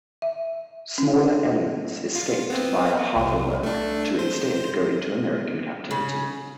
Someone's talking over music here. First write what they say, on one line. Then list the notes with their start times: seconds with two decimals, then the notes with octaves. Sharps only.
Smaller elements escaped via Havelberg to instead go into American captivity.
0.22 E5
0.98 C#4
2.15 F4
2.50 B3 C4
3.16 C2
3.63 A3 D4
4.19 C5
5.91 C#3